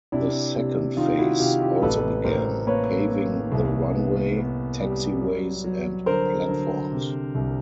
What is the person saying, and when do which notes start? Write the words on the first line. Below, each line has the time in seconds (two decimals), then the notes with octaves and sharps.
The second phase also began: paving the runway, taxiways, and platforms.
0.12 C3 D4 E4
0.55 C3
0.97 D#3 D#4 F4
1.18 E4 F#4
1.39 C3 F4 G4
1.61 F4 G4
1.82 A1 A4 B4
2.24 A1 A#4 C5
2.67 A#3 B4 C#5
3.10 A#3
3.52 C2
3.95 B3
4.37 B3
4.80 G3
5.21 F#3
5.64 F#3
6.06 D3 A#4 C5
6.49 D3
6.92 C3
7.35 C2